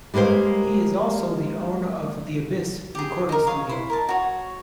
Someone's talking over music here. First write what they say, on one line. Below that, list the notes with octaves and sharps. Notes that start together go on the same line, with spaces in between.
He is also the owner of "The Abyss" recording studio.
G3 G#3 A#3 A#4 C5
G4 G#4
A#4 D#5
G#4 C#5 F5
E4 C6
A#4 D#5 A5
F#4 C#5